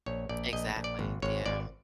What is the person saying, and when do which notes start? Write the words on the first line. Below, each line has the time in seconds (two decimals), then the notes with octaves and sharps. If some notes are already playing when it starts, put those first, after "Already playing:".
Exactly, yeah.
0.06 A#1 C#5
0.29 A#1 D5
0.53 A#1 D#5
0.76 A#1
0.84 D5
0.99 G#1
1.22 G#1 C#5
1.46 G#1 D5